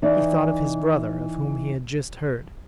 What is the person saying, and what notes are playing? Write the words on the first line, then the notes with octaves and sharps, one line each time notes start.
He thought of his brother, of whom he had just heard.
E3 D#4 D5